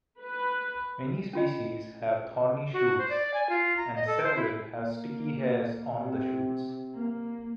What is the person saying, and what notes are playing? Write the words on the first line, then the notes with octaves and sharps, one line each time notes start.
Many species have thorny shoots, and several have sticky hairs on the shoots.
B4
C#4 F4 D#5
F#4
C5
D5
G#5
F4
A#5
D#5
A4
C5
E4
A#3
C3
A#3